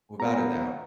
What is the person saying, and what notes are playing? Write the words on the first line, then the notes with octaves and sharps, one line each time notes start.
Without a doubt.
B3 A#5